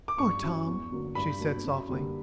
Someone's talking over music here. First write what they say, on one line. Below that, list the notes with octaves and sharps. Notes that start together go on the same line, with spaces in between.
"Poor Tom!" she said softly.
D6
G2 C#6
F#3 C#4 E4
E2
D3 F#3 A#3
G2 B5
F#3 A#3 D4
F#2
D3 G3 A#3